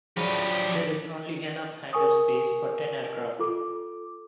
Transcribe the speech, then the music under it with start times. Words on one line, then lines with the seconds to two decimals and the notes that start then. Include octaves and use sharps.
There is only enough hangar space for ten aircraft.
0.17 F3 F#3 D4 G4 G#4 C#5 B5 D#7
1.93 A#4 G#5 C#6 D#6
3.39 F4 A4 D6